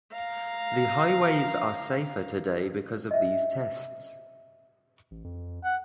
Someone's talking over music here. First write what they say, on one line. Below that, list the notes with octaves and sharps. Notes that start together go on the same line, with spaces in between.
The highways are safer today because of these tests.
F5 A#5
D#5 E5
A1
F2
F#5